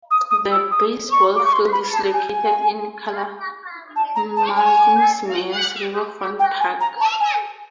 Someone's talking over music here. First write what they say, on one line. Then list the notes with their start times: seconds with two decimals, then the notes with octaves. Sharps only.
The baseball field is located in Kalamazoo's Mayors Riverfront Park.
0.11 D#6
0.30 D#6
0.51 E6
0.71 D#6
1.12 C#6
1.36 D6
1.44 C#6
1.53 C6
1.72 B5
1.92 A5
2.14 G#5
3.96 A5
4.15 A#5
4.36 A5
4.57 G#5
6.39 G5
6.60 G#5
6.80 A#5
7.00 A5
7.20 G#5